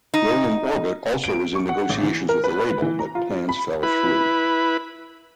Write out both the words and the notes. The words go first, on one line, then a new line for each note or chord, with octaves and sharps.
William Orbit also was in negotiations with the label, but plans fell through.
D#4
D7
C#6
F#5
A1
E3
A#4
B4
E3
A#5
F4
B5
E4 B4 B5